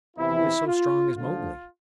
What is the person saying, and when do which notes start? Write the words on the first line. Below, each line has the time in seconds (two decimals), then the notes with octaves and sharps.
Who is so strong as Mowgli?
0.17 E2 C3 E3 E4
0.66 F4
1.15 D2 D3 F3 F4